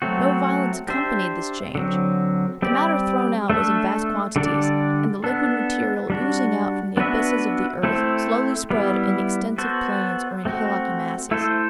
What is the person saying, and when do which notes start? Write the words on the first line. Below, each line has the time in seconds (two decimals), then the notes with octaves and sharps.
No violence accompanied this change; the matter thrown out was in vast quantities, and the liquid material oozing out from the abysses of the earth slowly spread in extensive plains or in hillocky masses.
0.02 F#3 A3 C4 F#4
0.88 D4 G4 C5 E5
1.75 D3 F#3 C4
2.62 G3 C4 G4 D5
3.50 A3 D4 A4 E5
4.36 D3 G3 D4 A4 D5
5.24 B3 D4 A4
6.10 G3 D4 F#4
6.97 B3 D4 F#4 B4 E5
7.83 A3 C4 E4 A4 C5
8.70 G3 B3 E4
9.58 B3 F#4 A4 C5
10.45 A3 C4 F#4
11.31 A3 E4 A4 C5